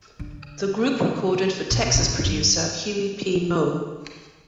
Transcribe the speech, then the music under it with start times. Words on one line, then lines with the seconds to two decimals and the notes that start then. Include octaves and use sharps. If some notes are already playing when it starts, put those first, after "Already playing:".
The group recorded for Texas producer Huey P. Meaux.
0.19 D3
1.71 A#2
1.83 B2
1.95 C#3
2.19 F#2
2.24 G2